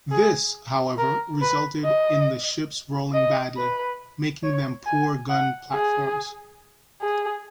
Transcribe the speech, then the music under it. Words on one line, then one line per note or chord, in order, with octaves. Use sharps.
This, however, resulted in the ships rolling badly, making them poor gun platforms.
G#4
A#4
B4
D#5
D#5
B4
C#5
G#5
F#5
G#4
G#4